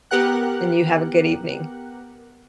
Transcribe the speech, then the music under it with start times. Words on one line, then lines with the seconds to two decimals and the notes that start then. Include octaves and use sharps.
And you have a good evening.
0.11 B3 G4 A#4 F#5 F#6